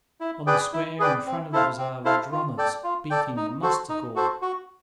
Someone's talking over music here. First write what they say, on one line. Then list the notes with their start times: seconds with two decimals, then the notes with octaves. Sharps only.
On the square in front of the Bazaar were drummers beating the muster call.
0.21 E4
0.47 G#4 B4 D5 G5
0.73 E4
0.99 G#4 B4 D5 G5
1.26 C4
1.53 E4 A4 C5 F5
1.78 C4
2.05 E4 A4 C5 F5
2.32 F4
2.58 A4 D5 G5
2.84 F4
3.10 A4 D5 G5
3.37 D#4
3.62 F#4 A4 C5
3.89 D#4
4.16 F#4 A4 C5
4.42 F#4